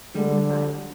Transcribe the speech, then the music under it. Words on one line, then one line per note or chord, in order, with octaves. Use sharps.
Mhm, bye.
D3 G3